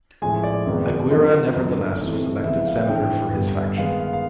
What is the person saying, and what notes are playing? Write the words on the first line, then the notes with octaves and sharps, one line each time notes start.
Aguirre nevertheless was elected Senator for his faction.
A2 F3 G#3 G#5
D5
F#2 D#3 G#3 B3
C#3 F#3 B3 D4 F4 D#5
F#2 D3 F#3 B3
C3 E3 A3 C4 D#4
C#3 F3 G#3 B3 E4 E5
F5
A2 E3 A3 D4 G5
G2 D3 G3 B3
D#3 G#3 B3 F5
F5
F5